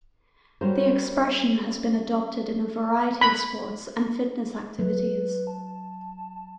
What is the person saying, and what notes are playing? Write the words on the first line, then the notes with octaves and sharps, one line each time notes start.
The expression has been adopted in a variety of sports and fitness activities.
G3 C#4 F#4 A#4 C5
B5
F#3 B4
A5